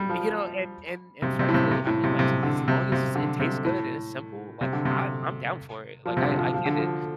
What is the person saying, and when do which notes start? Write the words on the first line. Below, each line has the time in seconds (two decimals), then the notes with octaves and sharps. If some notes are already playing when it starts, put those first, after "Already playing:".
You know, and and and frankly, I mean, like, as long as it tastes good and it's simple, like, I'm I'm down for it. Like, I I get it.
Already playing: G3
0.09 F3
1.22 C3
1.39 C3
1.48 A2
1.54 C3
1.71 C3
1.87 A2
2.04 C3
2.19 C3
2.43 D3
2.68 C3
2.92 C3
3.15 D3
3.40 C3
3.64 A2
4.61 C3
4.73 D3
4.85 C3
6.06 F3
6.17 C3
6.22 D3
6.38 F3
6.54 F3
6.66 D3
6.79 F3